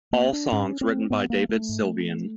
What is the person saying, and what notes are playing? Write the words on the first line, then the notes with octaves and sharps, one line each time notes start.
All songs written by David Sylvian.
A#3
D4
G#2 C#4
C4
G#2 B3
A#3
A3
G#2